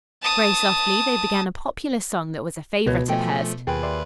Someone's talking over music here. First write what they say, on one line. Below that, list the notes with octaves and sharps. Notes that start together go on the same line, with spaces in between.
Very softly they began a popular song that was a favorite of hers.
A5 D#6
C#2 B2 B4 C#5 D#5
F3 A3 D#5 G5 G#5
D#2 F4 G#4 B4 G5
D5 E5 C6